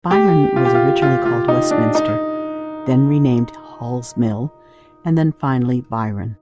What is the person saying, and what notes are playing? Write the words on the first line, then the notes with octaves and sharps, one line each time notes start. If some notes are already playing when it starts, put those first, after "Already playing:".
Byron was originally called Westminster, then renamed Hall's Mill, and then finally Byron.
G4
F4
G4
F4
F4
F4
D#4
D4
D#4